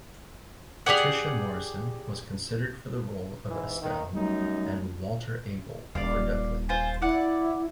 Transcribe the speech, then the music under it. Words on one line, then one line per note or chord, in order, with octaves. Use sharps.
Patricia Morison was considered for the role of Estelle, and Walter Abel for Dudley.
G4 G#4 D5 F#5
F2 G#2 E3
D#3
F#2 F#3 G3 A3 D#4
D#1 D5 F5
F4 C5 G#5
E4 D5 F#5